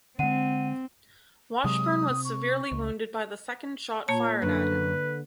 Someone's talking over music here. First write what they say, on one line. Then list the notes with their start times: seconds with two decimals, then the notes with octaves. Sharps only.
Washburn was severely wounded by the second shot fired at him.
0.19 D3 G#3 C4 F#5 D#7
1.64 C3 F#3 G#3 D#6
2.10 C3
2.25 C#6
2.72 C#2
4.08 A#2 A#3 C#5 A5
4.42 F#2 D3 B4